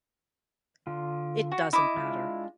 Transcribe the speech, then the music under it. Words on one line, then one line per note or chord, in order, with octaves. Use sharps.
It doesn't matter.
D3 F4
F#4
E4 D#5 D6
G#3 D4 F4